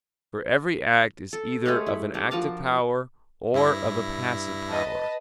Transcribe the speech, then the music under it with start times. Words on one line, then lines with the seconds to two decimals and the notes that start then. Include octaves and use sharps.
For every act is either of an active power or of a passive power.
1.33 A4
1.65 G#3 A3 G4 C#5
1.86 E4
2.14 G3 D4
2.31 F3 F#4 A#4 A5
3.54 G2 E4 A#6
4.69 B4 D#5 A5